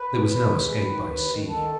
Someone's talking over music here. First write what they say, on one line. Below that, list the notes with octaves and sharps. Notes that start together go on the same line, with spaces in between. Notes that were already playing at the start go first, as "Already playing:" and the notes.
There was no escape by sea.
Already playing: B4
D#2
D#2
G#3
D#3
D#2
D#3
D#3 A4